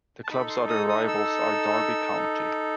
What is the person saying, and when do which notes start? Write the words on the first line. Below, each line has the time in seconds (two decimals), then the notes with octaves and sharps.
The club's other rivals are Derby County.
0.24 A5
0.30 D#4 A4 B5
0.49 C6
0.69 D#6
0.89 D#6
1.08 E6